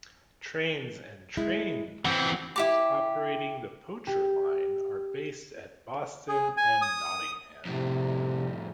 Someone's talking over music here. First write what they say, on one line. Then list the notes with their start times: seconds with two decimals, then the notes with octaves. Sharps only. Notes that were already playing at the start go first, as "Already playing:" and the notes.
Trains and train crews operating the Poacher Line are based at Boston and Nottingham.
1.37 G#3 E4
2.05 E3 C4 F#5
2.56 E4 G4 D6
4.07 G4
6.29 G#4
6.57 G#5
6.82 D#6
7.65 F2 A2 C3